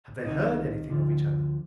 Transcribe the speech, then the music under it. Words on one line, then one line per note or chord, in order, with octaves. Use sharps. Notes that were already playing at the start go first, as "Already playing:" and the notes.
Had they heard anything of each other?
C2 C3 D#3 D#4
D2 D3 F3